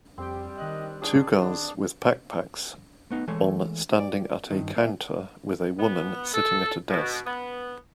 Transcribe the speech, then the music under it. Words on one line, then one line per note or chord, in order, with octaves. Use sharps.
Two girls with backpacks on standing at a counter with a woman sitting at a desk.
F2 G3 C4 G4 G5
D#3 D#5 F#6
D4 G#4 D5
D4
A3 B3 D#4
E3 G#3 A3 C#5
D5
G2 D#3
A#3 E5
B3
A4
B2
B3